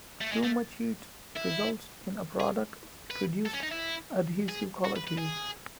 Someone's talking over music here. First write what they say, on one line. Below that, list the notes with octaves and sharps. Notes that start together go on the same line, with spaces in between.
Too much heat results in a product with reduced adhesive qualities.
A3
G#3
A3
E4
G#4
B4
A4
C#4
D#4
E4
G#4
F#4
B4
B4
G#4